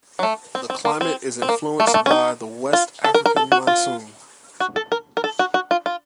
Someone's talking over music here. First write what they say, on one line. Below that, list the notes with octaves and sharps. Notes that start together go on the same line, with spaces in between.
The climate is influenced by the West African Monsoon.
F#3
A3
C4
C4
A#3
C4
C4
A#3
A3
A#3
A3
C#4
D#4
F4
A4
A#4
A#4
A4
F#4
F4
F#4
A4
A#4
A#4
A4
F#4
F#4
F4
F4